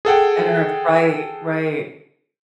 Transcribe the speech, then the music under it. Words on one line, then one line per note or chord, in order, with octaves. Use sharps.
And Earth, right, right.
G#4 A4 F#5 G5